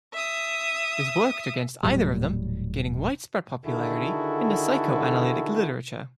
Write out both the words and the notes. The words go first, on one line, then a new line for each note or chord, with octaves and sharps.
This worked against either of them gaining widespread popularity in the psychoanalytic literature.
E5 D#6
D#1 A2 F#3 G3
D3 D#3 E4 F#4 G#4 A4